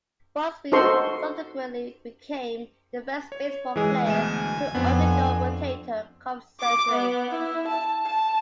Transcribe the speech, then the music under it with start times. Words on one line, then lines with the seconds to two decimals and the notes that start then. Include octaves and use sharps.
Busby subsequently became the first baseball player to undergo rotator cuff surgery.
0.72 D#4 F#4 A4 C5 C6 C#6
3.32 C#5
3.76 E3 G#3 G#4
4.06 D2 B2 G#5 E7
4.75 F2 B3 C4 D4
6.60 D6
6.91 B3
7.30 E4
7.67 A5
8.06 A5